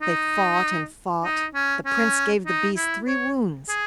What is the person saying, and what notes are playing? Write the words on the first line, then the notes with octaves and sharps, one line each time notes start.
They fought and fought; the Prince gave the beast three wounds.
D#4
D#4
C#4
C#4
D#4
E4
C#5
G#4